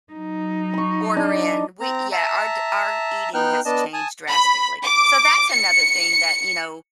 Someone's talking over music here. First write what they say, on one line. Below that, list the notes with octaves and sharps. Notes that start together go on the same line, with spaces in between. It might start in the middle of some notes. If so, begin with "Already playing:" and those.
order in, we yeah, our d our eating has changed drastically. So, that's another thing that, you know,
F#3 D#4
B5 C#6
D4 D#5
C4 A#5
E5 A5 A#5
B3 D#4 G5 F6 F#6
B3 D4 D#5 A5
G#5 A5 D#6
B5
D6
C#7